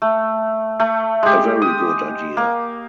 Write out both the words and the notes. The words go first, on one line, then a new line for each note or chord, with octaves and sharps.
A very good idea!
A3
A3
G#3 G4
D#6
A#3